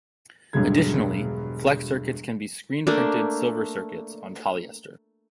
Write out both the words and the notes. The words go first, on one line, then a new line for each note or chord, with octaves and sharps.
Additionally, flex circuits can be screen printed silver circuits on polyester.
E1 G2 D3 F#3 G#3 G#6
A3 A#3 D4